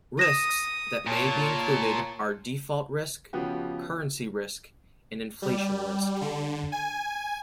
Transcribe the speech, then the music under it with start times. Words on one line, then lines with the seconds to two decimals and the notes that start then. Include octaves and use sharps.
Risks that may be included are default risk, currency risk, and inflation risk.
0.19 D#6 A#6 E7
1.07 A#2 C#5 A5
3.33 C#3 F3 B3 F#4 G4
5.42 G3
6.21 D3
6.72 G#5